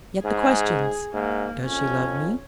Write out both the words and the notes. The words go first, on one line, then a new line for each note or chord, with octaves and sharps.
Yet the questions--Does she love me?
G#2 G#4
G#2 A#3
F2 C#4